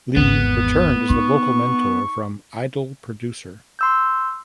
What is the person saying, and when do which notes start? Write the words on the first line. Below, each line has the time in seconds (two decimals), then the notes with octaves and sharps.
Li returned as the vocal mentor from "Idol Producer".
0.16 G#1 E2 B3
1.10 D#4 C#6
3.79 C6 E6 G6